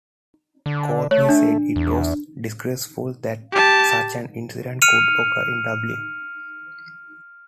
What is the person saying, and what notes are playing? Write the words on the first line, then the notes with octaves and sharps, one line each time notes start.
Courtney said it was "disgraceful" that such an incident could occur in Dublin.
D3
A3 C#5
D4
E2
G4 A5
F6 C#7 D#7 F7